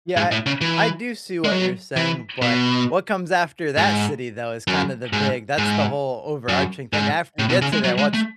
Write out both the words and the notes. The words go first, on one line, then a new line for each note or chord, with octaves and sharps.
Yeah, I do see what you're saying, but what comes after that city, though, is kinda the big that's the whole overarching thing, after you get to there, what's
G#2
A2
C#3
E3
G#3
F#3
E3
B2
G#2
F#2
G#2
G#2
F#2
G#2
A2
B2
C#3
G#3
F#3
G#3
A3